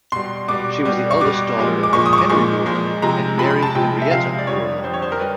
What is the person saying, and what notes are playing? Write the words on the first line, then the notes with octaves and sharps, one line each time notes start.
She was the eldest daughter of Henry Gourlay and Mary Henrietta Gourlay.
B2 G3 C6
B2 G3 D6
B2 G3
C#6
B2 G3 D6
A#2 F3 G#3
D6
A#2 F3 G#3 C#6
D#6
C#6
D6
A#2 F3 G#3 C#6
A#2 F3 G#3
C3 F3 G#3 A#5
C3 F3 G#3 B5
B5
A5
C3 F3 G#3 G5
E5
C3 F3 G#3 F5
D5
F2 D3 G3 C#5
F2 D3 G3 C5
C#5
C5
A#4
G3 B4